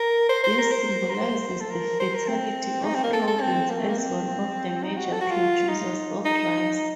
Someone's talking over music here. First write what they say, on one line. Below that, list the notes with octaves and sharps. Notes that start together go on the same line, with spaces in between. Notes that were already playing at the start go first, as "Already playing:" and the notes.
This symbolizes the fertility of province as one of the major producers of rice.
Already playing: A#4
C5
C5
A#4
C5
A#4
C5
A4
A#4
C5
A#4
C4
D#4
C4
A#3
A4
A4
C4
A#3
A3
A#3
C4
D#4
F#4
A4
F#4
F4
D#4
D#4